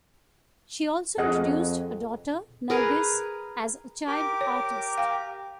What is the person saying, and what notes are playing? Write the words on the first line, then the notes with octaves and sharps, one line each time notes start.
She also introduced her daughter Nargis as a child artist.
F2 G#4 D#5 F#5
G#4 A#4 B4
G4 A#4 D6
C#5
F5 G5